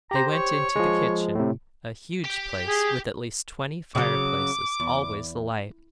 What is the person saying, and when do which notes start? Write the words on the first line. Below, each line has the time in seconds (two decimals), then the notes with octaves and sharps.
They went into the kitchen--a huge place with at least twenty fireplaces, always alight.
0.11 G4 C5 A#5
0.32 C#5
0.76 F3 G#3
1.35 A2 C3
2.24 G4 G5
2.67 G#4
3.95 C#3 F#3 D6
4.80 E2